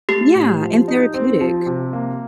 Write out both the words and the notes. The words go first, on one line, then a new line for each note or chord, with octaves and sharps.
Yeah, and therapeutic.
A3 G4
A2
F3
D#4
C4
F3
C3
A#3